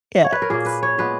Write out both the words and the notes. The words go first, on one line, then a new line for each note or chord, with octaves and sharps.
Yeah, it's
C#5
B4
A#4
A#2 A#3 G#4
B4
C#5
A#2 G#3 B3 B4